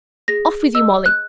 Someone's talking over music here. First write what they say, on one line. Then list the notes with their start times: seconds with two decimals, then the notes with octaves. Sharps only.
Off with you, Molly.
0.28 G#4 A#6
0.75 D#5 E6
1.06 F#6